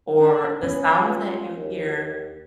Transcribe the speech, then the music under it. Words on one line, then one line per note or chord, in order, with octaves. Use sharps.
or the sounds that you hear
D4
B3 C#4
F4
D#2